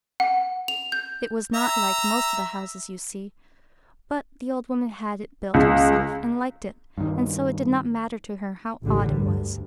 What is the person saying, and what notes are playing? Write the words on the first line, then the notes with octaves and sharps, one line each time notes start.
It was not like most of the houses you see, but the old woman had it built herself, and liked it, and so it did not matter to her how odd it was.
F#5
F7
G6
E5 A#5
C#2
G2 D#3
A1 D3 G3
D2 G2